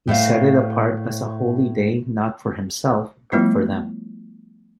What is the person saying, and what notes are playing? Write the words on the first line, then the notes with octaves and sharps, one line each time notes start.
He set it apart as a holy day not for Himself, but for them.
A2 A3 C5 F5
F3 G3 A3 B3 E4 F4